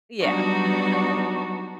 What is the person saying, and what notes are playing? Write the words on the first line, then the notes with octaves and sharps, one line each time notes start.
Yeah, exactly.
F#3 G3 B3 D4 D#4 F#4